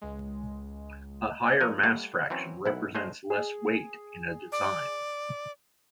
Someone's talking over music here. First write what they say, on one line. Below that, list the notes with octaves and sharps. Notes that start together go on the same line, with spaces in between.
A higher mass fraction represents less weight in a design.
C#2 G#3
F3 A#4 C#5 D#5
G3 A3 F5 F#5
E3 F#3 C4 C#4
B1 E4 F#5
A3 G#4 C5 D#5
G#4
D5